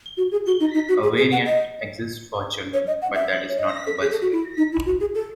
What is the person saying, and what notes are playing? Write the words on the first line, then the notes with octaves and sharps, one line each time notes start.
A variant exists for children, but that is not compulsory.
F#4
G#4
F#4
D#4
D#4
F#4
G#4
G#4
F#5
D#5
C#5
D#5
F#5
E5
C#5
D#5
A4
G#4
A4
F#4
E4
D#4
E4
F#4
G#4
A4